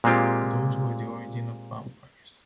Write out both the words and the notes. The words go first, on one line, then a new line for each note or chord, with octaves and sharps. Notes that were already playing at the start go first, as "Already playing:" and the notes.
Those were the origin of vampires.
A#2 G#3 A#3 C4 F4 G4